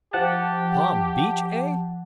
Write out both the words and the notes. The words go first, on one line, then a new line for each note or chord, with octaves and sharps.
"Palm Beach, eh?"
F3 G4 F#5 A5